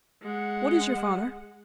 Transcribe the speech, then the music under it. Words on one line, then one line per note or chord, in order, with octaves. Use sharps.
'What is your father?'
G#3 F#5